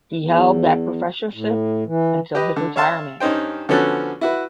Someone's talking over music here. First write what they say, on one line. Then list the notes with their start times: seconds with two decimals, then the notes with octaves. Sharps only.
He held that professorship until his retirement.
0.20 E2
1.34 A2
1.87 E3
2.35 G4 B4 D#5
2.56 D3
2.76 C#5 E5 F5 A5 C6
3.20 G2 C#4 D#4 C5 G5
3.69 D3 F3 B3 C#4 F#4 A4
4.21 E4 F#4 B4